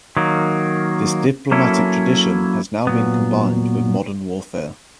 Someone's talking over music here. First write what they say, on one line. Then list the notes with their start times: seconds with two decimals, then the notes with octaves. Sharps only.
This diplomatic tradition has now been combined with modern warfare.
0.17 D#3 F#3 A#3
1.51 F#3 A#3 C#4 E4 A4
2.87 A#2 F#3 B3